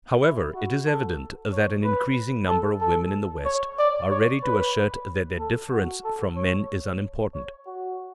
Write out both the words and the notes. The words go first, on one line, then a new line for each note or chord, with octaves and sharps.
However, it is evident that an increasing number of women in the West are ready to assert that their difference from men is unimportant.
E4
F#4
A4
C#5
B4
A4
A4
C#5
D5
C#5
B4
A4
F#4
A4
C#5
C#5
F#4